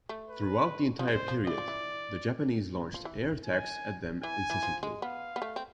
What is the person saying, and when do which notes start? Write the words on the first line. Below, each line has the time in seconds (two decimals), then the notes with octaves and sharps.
Throughout the entire period, the Japanese launched air attacks at them incessantly.
0.09 A3
0.29 B4
0.99 F3
1.07 G#3 C5
1.28 F3
1.47 E3 D5
1.58 F3
1.68 E3
2.94 F3
3.05 E3
3.44 G#5
4.23 E3 G#5
4.50 E3
4.63 F3
4.83 G#3
5.02 B3 F5
5.36 B3
5.42 A3
5.56 C4